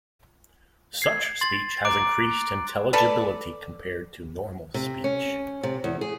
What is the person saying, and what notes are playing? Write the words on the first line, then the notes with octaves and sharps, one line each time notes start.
Such speech has increased intelligibility compared to normal speech.
G#6 C7
C6 A6 F#7
A#5 D6 F#6 D7
A4 B4 D5
C3
C#4
C3
E2
G#4